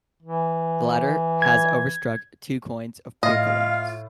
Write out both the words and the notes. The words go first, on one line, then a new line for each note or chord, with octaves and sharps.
The latter has overstruck two coins of Peucolaos.
E3
G#6
A2 F4 D#5 F5